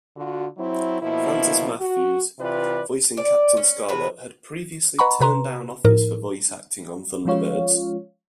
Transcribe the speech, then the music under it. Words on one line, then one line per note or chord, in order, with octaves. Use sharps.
Francis Matthews, voicing Captain Scarlet, had previously turned down offers for voice-acting on "Thunderbirds".
D3 F4 F#4
F#3 C4 E4
B2 F3 A#3 E4
F#4
C3 E3 F4 B4 D5
D5
C#4
C3 F#4 B4
B4 D#5 F#5 A#5 B5 C#6
C3 B4 A#5 C6
A2 F3 D#4 A#4
F3 G#3 C#4 F4 C#5 F5